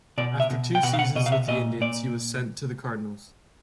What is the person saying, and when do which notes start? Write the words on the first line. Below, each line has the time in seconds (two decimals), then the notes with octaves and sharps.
After two seasons with the Indians he was sent to the Cardinals.
0.18 B2 D5
0.40 E5
0.50 B2
0.75 G5
0.83 B2 F#5
0.93 F5
0.99 F#5
1.15 B2 D#5
1.26 F5
1.32 E5
1.48 A#2 D#5
1.81 A#2 D5